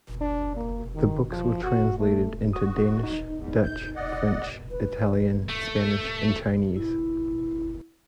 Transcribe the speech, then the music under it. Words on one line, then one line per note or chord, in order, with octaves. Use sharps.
The books were translated into Danish, Dutch, French, Italian, Spanish and Chinese.
D4
A#3
D#3
F3
F#4
A3
F#4 D#6
D#4
E2
G6
D5 D#5 F#5
B4
A3
E4